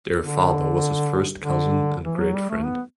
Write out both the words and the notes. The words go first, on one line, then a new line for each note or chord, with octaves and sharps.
Their father was his first cousin and great friend.
D3
D3
E3
F#3
G3
A3
B3